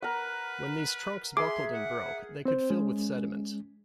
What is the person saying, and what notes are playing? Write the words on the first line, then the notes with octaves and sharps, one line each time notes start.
When these trunks buckled and broke, they could fill with sediment.
A#4 B4 F#5
G#4 E5 C6 D6
F#5
C4 C5
G#3 C#4